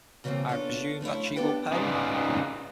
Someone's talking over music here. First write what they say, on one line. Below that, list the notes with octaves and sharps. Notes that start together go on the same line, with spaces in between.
I presume that she will pay.
C#3 E3 F3 G3 A#3 C4
B3 C#4 D4 F4 A4
F3 A3 C#4 E4
B3 D4 G4 A4 B4 G5
C#4 D#4 F4 G#4 B4 D5